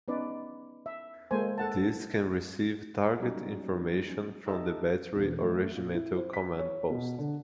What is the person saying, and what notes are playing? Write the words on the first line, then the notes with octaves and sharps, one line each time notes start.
This can receive target information from the battery or regimental command post.
B3 C#4 D#4 B4 D5
E5
G#3 A#3 A4 C5 G#5
A4 F#5 A5
F#3 G3 A#3 C#4 D#4 F#4
D#4 G4 A4 D#5 E5 A5
E1
A3
A#2
E4
C5
B6
C#5
B2
D3